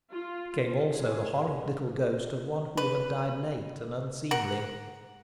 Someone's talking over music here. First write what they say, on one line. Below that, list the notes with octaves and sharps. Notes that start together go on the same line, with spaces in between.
Came also the horrid little ghost of one who had died late and unseemly.
F4
G#4
B4
A#4 F#5